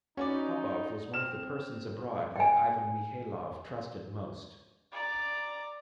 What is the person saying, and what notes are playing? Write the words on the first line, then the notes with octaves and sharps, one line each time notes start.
Popov was one of the persons abroad that Ivan Mihailov trusted most.
C#4 D#4 F#4 B4 D5
C4 F6 E7
G5 G#5
D5 A#5